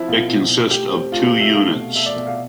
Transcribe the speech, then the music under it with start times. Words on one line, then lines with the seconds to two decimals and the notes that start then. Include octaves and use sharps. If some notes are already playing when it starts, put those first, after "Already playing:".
It consist of two units.
Already playing: F3 C4 E4
0.08 B2 F4
0.30 B2
0.49 B2
0.70 A3 G4
0.92 C4
1.12 A3 F4
1.26 F4
1.33 C3
1.40 E5
1.54 A3 F5
1.75 B2
1.95 A3 E5
2.06 D5
2.16 B2 E5
2.27 F5